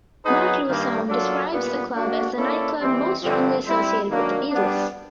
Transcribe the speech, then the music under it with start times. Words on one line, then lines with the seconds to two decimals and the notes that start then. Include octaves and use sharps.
Mark Lewisohn describes the club as the nightclub "most strongly associated with The Beatles".
0.24 F#3 B3 D#4 G#4 B4
0.67 G2 D#3 G3 A#3
1.09 F#3 A#3 D4 F4 A4
1.51 A#2 G3 B3
1.95 A#3 D4 F#4
2.37 A#3 C#4 E4 A4 D5
2.80 E3 G3 C4
3.22 G2 D3 F3 A3 C4
3.65 G3 C4 E4
4.08 D#3 F#3 A#3 D4
4.51 G3 B3 D4